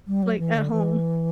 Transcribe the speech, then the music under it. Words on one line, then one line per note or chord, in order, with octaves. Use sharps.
Like, at home.
G3
F#3
E3
D3
E3